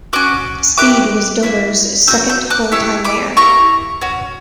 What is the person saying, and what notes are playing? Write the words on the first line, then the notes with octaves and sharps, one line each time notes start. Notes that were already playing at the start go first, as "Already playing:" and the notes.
Speed was Dover's second full-time mayor.
C#4 F#4 D6 F#6
A#3 E4 G4 D6 F#6
A#3 C#4 E4
C#4 F#4 E6 G6
E6 G6
D6 F#6
C#4 E4 G4 C#6 E6
B5 D6
A#3 E4 G4 A#5 C#6
C#4 F#4